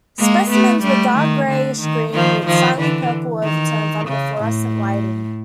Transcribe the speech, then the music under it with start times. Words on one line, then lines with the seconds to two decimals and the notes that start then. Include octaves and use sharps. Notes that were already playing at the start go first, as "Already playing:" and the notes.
Specimens were a dark greyish-green with slightly purple overtones under fluorescent lighting.
0.18 G#3 A#3
0.50 A3 B3
0.83 G3 A3
1.16 D#3
1.49 D3
1.81 D#3
2.13 D#3 F3
2.46 D#3 F3
2.78 D3 E3
3.43 D#3
4.08 C#3
4.41 A2